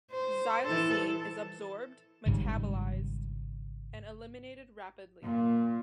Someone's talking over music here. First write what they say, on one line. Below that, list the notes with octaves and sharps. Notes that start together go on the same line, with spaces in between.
Xylazine is absorbed, metabolized, and eliminated rapidly.
C5
E3 A4
G#1 G#2 C#3 G3
A#2